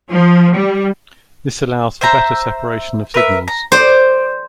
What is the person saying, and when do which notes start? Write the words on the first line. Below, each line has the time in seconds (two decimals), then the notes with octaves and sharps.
This allows for better separation of signals.
0.11 F3
0.54 G3
2.01 C5 E5 A#5
3.14 A#4 B4 E5
3.48 A#5
3.72 C5 D5